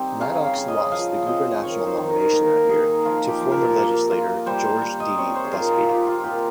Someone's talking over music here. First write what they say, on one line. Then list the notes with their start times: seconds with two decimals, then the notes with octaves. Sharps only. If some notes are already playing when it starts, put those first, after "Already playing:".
Maddox lost the gubernatorial nomination that year to former legislator George D. Busbee.
Already playing: G3 C4 D#4
0.21 C#3 F5
0.44 F5
0.56 C#3
0.68 D#5
0.91 F3 F5
1.27 C4 D#5
1.62 D#3 C#5
1.87 C5
1.98 D#3
2.09 A#4
2.33 A#3 A#4
2.69 D#4 G#4
3.05 F3 F4
3.28 G4
3.41 F3
3.51 A#4
3.76 A#3
4.11 F4
4.46 G3 C5
4.65 C5
4.82 G3
5.00 D#5
5.17 C4 C#5
5.35 C5
5.45 G#4
5.53 F4 A#4
5.72 F4
5.89 F4 G4
6.07 F4
6.24 A#2 G4